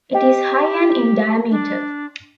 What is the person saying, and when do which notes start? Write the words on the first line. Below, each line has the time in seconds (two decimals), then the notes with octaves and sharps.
It is high and in diameter.
0.13 G4 D#5 G5
1.50 D4